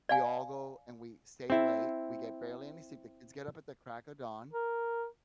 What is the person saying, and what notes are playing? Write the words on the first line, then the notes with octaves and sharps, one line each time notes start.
we all go and we stay late, we get barely any sleep, the kids get up at the crack of dawn,
D5 F5 G#5
C4 E4
A#4